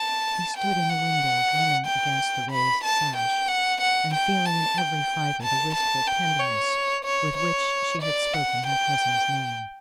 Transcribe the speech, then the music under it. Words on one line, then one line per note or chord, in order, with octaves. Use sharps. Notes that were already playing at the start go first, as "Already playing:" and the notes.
He stood in the window, drumming against the raised sash, and feeling in every fibre the wistful tenderness with which she had spoken her cousin's name.
Already playing: A5
G5
F#5
G5
B5
A5
G5
F#5
F#5
G5
A5
G5
A5
A5
G5
C#5
C#5
C#5
D5
F#5
G5